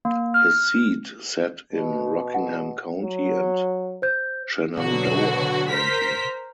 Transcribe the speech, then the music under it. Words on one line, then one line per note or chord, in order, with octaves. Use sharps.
His seat sat in Rockingham County and Shenandoah County.
A#3
F6
B2
F#5
F#3
C5 G6
B2 D3 F#3 F#4
A#4 C5 A#5 B6